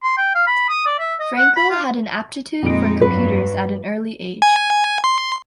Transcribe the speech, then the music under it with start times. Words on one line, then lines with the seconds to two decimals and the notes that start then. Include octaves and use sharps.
Frankel had an aptitude for computers at an early age.
0.03 C6
0.17 G5
0.35 F5
0.47 B5
0.69 D#6
0.86 D5
0.99 E5
1.20 D#5
1.37 F#5
1.56 B5
1.70 F4
2.63 F2 A#2 G#3 D#4 D7
3.01 G2 F#3 B4
4.42 G#5
5.04 C6